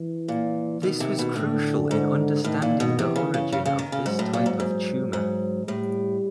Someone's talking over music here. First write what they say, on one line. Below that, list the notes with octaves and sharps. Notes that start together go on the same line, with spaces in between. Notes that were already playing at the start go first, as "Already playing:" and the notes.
This was crucial in understanding the origin of this type of tumor.
Already playing: E3
A#2
B2 D#3
C3
B2
A2 D3
G#2
A2 D#3
A#2
B2
C3 E3
C#3
C#3
C#3
C#3
D#3
C#3
G#2 F#3
A2
A#2
G#2
G#2
G#2
A2 G3